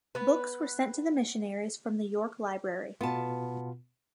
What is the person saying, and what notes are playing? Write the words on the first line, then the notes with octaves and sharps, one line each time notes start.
Books were sent to the missionaries from the York library.
B3 B4
B2 B3 F4 A5